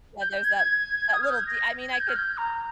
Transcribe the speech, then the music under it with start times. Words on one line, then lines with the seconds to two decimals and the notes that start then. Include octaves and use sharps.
Yeah, there's that that little de I mean, I could
0.21 G6
0.32 G6
0.44 G#6
0.56 G#6
1.13 D#6
1.21 F6
1.30 G6
1.38 G#6
1.47 A#6
1.93 G#6
2.00 G6
2.08 F6
2.16 G6
2.37 A#5